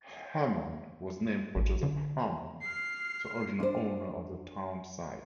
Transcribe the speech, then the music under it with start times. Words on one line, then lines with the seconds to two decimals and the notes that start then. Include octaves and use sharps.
Hammond was named for Joseph Hammond, the original owner of the town site.
1.56 A1
1.83 D3
2.62 F6 C7
3.60 D4 C5